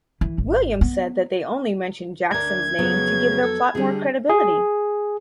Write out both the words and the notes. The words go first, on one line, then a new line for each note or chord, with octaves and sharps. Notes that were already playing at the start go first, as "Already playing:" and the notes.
Williams said that they only mentioned Jackson's name to give their plot more credibility.
E3
G#1
B3
D2 D4 A#4 G#6
F2 C#3 F#3 B3
A4
D3 G3 G#4
G#4